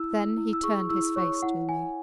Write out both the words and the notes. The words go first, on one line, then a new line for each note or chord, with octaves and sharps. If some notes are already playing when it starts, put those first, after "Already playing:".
Then he turned his face to me.
Already playing: E4 E6
E4
E4
E6
G#4 C#6
E4 E6
C#5 C#6
E4 F#5
E4 G#5